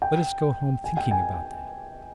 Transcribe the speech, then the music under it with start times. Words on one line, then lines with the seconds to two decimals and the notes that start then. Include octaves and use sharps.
Let us go home thinking about that.
0.02 G5
0.84 G#5
0.97 G5
1.11 G#5